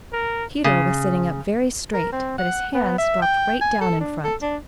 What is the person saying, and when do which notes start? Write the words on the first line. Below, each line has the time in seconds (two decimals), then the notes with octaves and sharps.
Peter was sitting up very straight, but his hands dropped right down in front.
0.12 A#4
0.64 C#3
1.94 A#4
2.12 C4
2.38 F#5
2.74 B3
2.98 E5
3.22 G5
3.61 G#5
3.81 A4
4.00 D4
4.24 A4
4.42 D4